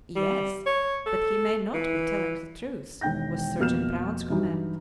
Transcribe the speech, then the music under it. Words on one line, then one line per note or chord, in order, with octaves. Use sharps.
"Yes; but he may not be telling the truth," was Sergeant Brown's comment.
G3
C#5
A4
E3
E1 D#3 G5 G6 A#6
F2 B2 A#3 F6 G6 E7
G2 E3 F#3 D#4 F#4